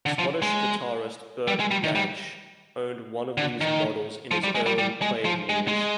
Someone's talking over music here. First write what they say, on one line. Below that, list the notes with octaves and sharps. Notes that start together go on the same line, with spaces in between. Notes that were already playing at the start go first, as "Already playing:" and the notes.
Scottish guitarist Bert Jansch owned one of these models in his early playing years.
D3
F3
G#3
G3
G#3
G3
D#3
G3
D3
D#3
F3
G3
G#3
G3
G3
G#3
F3
G#3
G#3